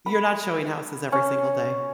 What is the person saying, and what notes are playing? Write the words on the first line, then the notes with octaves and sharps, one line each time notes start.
You're not showing houses every single day.
B5
C#4